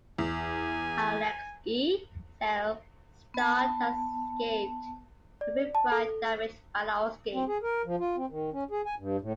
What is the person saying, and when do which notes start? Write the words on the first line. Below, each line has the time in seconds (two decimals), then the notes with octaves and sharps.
Alexei Sayle starred as escaped convict Brian Damage Balowski.
0.18 E2 G#5
3.34 B3 A5
5.41 D5
5.75 A5
5.92 A4
7.34 C4
7.48 G#4
7.62 A#4
7.85 F3
7.99 F4
8.17 C4
8.30 D#3
8.53 C#4
8.71 G#4
8.86 G#5
8.98 G2
9.21 A2